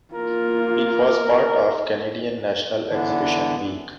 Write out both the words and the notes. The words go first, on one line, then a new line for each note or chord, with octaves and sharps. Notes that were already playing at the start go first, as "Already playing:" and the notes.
It was part of Canadian National Exhibition Week.
A#3 F4 A#4
D3 E3 B3 D4